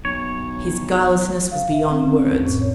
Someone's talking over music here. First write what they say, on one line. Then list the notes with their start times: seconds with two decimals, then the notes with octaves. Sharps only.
His guilelessness was beyond words.
0.05 B1 C#5
1.51 F5
1.71 E5
1.89 C4
2.00 C#4
2.12 C#4
2.30 F2
2.46 A2
2.60 C#5